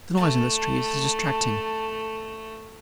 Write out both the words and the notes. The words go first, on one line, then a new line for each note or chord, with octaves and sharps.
The noise in the streets is distracting.
A3 A5